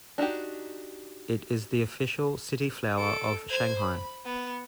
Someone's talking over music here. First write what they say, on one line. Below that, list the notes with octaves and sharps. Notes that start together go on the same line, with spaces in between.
It is the official city flower of Shanghai.
D4 D#4 F#4 G4
A4 D7
C5 G#6
B5
B3